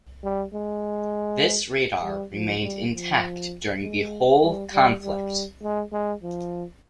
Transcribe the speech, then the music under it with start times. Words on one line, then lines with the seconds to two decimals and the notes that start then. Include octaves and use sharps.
This radar remained intact during the whole conflict.
0.24 G3
0.54 G#3
2.03 G3
2.33 F3
2.63 G3
2.93 F3
3.82 G#3
4.43 G3
4.73 G3
5.03 G3
5.63 G#3
5.92 G#3
6.22 F3